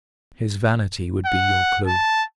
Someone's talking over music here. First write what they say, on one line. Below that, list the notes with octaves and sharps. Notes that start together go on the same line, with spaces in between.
His vanity would be your clue.
F#5
A5